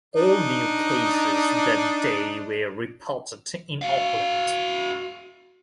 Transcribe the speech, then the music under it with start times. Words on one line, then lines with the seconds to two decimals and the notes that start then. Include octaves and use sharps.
All new cases that day were reported in Auckland.
0.16 D4 D#4
3.82 F#4 F5